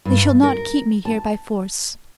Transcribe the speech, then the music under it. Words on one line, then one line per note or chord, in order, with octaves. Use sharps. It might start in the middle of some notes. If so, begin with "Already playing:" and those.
They shall not keep me here by force.
G2
A#4
A5